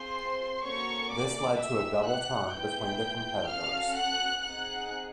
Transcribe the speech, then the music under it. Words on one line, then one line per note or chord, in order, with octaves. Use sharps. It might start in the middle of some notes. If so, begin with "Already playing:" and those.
This led to a double turn between the competitors.
Already playing: C4 F4 G#4 C5 C6
A#3 C#4 F#4 A4 C#5 C#6
D5 D6
D4 G4 E5 E6
F#5 F#6
B3 E4 G#4 G5 G6
C#4 F#4 A4 F5 F6
F#5 F#6
C4 D#4 G#4 F#5 F#6